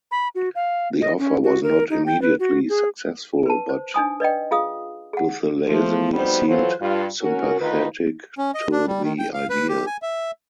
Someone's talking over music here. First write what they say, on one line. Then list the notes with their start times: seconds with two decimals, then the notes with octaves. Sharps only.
The offer was not immediately successful, but Buthelezi seemed sympathetic to the idea.
0.11 B5
0.35 F#4
0.55 F5
1.01 D#5
1.19 C#4
1.44 F#4
1.63 A#4
1.90 D#4
2.06 G5
2.22 B4
2.40 F#4
2.69 G#4
3.46 B4 A5
3.69 C5
3.94 D4 D#4 G#5 D#6
4.20 B4 D5 D#5 G5
4.51 F4 G#4 F5 D#6
5.13 G#4 F#5
5.69 F3 A3
6.13 F2 G3 B3 D#4 F#4 C5
6.48 E3 F#3 F4 A4 C5
6.82 G2 F4
7.22 C#4 F#4 A#4
7.60 D2 D#3 D#4 F4 B4
8.38 C#4
8.55 D#5
8.72 D4
8.88 G3
9.02 D#3
9.19 G5
9.34 F5
9.50 B4
9.69 G4
9.87 G#5
10.02 E5